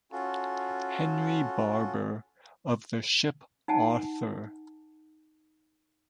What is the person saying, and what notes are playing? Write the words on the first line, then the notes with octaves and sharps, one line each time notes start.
Henry Barber, of the ship "Arthur".
C#4 F4 F#4 A4
D#4 F#5 G#5 A5